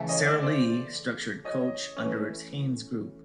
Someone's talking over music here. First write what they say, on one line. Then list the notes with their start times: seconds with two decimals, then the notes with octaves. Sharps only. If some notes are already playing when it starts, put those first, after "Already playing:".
Sara Lee structured Coach under its Hanes Group.
Already playing: C#3 E3 A3
0.09 C#5 D#5
0.26 D5 E5
0.42 C5 D5
1.45 C#5 D#5
1.97 E3 A3 C#4